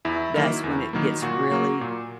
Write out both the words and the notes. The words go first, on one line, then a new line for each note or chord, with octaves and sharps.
that's when it gets really
E2 E4
D#3 F#3 A#3
E2
D#3 F#3 A#3
A#2 F#4
F#3 A#3
A#2